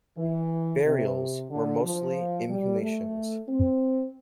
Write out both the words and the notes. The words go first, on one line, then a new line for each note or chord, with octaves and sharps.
Burials were mostly inhumations.
E3
C3
D3
F3
G3
A3
C4